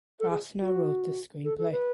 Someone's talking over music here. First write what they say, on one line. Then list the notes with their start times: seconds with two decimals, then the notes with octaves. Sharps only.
Krasna wrote the screenplay.
0.20 A4
0.30 G#4
0.62 F#4
1.44 A4
1.58 A4
1.72 B4